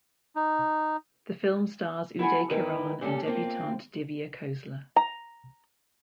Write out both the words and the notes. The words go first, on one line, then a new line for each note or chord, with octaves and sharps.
The film stars Uday Kiran and debutante Divya Khosla.
D#4
E4 F#4 A4 G#5
E2 G#2 D#3 E4 A#4 B4
A#2 G3 C#4 A4
A#3 C4 F4
A#5